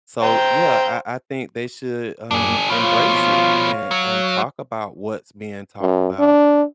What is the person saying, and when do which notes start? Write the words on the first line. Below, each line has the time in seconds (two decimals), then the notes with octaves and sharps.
So, yeah, I I think they should, um, embrace it, and and talk about what's being talked about
0.23 C5 G5 A#5
2.31 F#2 A#3 D4 G#4 D6
2.70 B2 F3 F4 C#5 F5
3.91 F#3
5.81 F#2
6.19 D4